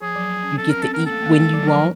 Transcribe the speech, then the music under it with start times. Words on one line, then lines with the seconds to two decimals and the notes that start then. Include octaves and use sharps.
you get to eat when you want
0.02 F3 G#4
0.16 F#3
0.43 C#4
0.57 C4 A4
0.70 C#4 A#4
0.80 C#4
0.82 C4 A4
0.93 A#3 A#4
1.06 A4
1.12 A3
1.22 A#3
1.26 A3
1.40 G#3
1.54 F#3
1.67 F3 A#4